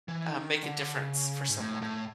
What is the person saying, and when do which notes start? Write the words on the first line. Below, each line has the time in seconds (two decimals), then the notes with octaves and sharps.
uh, make a difference for someone?
0.08 E3
0.29 D#3
0.63 D3
0.95 C#3
1.48 G#2
1.60 A2
1.82 A2